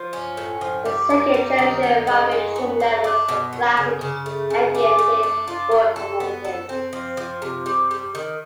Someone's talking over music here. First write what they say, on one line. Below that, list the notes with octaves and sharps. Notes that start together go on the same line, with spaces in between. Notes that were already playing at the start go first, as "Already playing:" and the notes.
The second generation Fabia trim levels were Classic, Ambiente, Sport and Elegance.
Already playing: F3
C#4
A2
F3
G3
A#3
G3
D#3
B3
G#3
E3
B3
A3
D4
B2
F#3
C#3
C#3
A3
C#3
D4
A3
D4
F4
F#3
A4
B3
A4
C4
F3
F3
C3
G3
G3
D#3